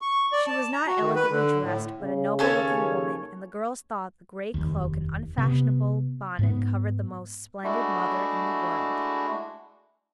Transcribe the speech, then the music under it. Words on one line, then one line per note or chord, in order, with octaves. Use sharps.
She was not elegantly dressed, but a noble-looking woman, and the girls thought the gray cloak and unfashionable bonnet covered the most splendid mother in the world.
C#6
D5
A5
A#5
F#4
D#3
B4
D3
A2
C#3
D#2 C#3 C#4 A4 C#5
F1 D#2
C3 B3
G#2 B3
G#3 A3 D4 E4 F#4